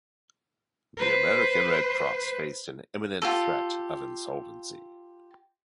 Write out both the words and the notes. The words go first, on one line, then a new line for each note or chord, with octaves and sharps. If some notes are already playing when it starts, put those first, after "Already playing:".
The American Red Cross faced an imminent threat of insolvency.
B4 C5
F4 G4 A4